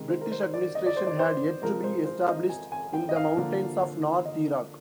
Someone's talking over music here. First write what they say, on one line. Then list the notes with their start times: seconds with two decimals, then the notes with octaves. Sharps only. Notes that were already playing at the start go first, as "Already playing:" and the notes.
British administration had yet to be established in the mountains of north Iraq.
Already playing: C3 D#3 G#3
0.09 C5
0.21 A#4
0.32 C5
0.54 D5
0.75 D#5
0.86 D5
0.97 C5
1.07 D5
1.19 C5
1.62 C3 F3 G#3 A#4
1.84 C5
2.05 C5
2.29 D#5
2.49 G#5
2.72 G#5
2.93 G5
3.09 D#5
3.16 F5
3.37 D3 F3 A#3
4.25 D#5